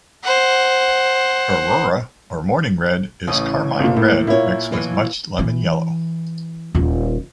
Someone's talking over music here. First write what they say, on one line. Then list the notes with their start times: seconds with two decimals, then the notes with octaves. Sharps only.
Aurora or morning red is carmine red mixed with much lemon yellow.
0.24 C5 F#5
3.27 A1 C#3 E3 D#5
3.80 G1 A#2
3.96 A2 A#3
4.27 A#2 A#3 E4 C#5
4.72 B2 E3 F#3
5.39 E3
6.75 D#1 F4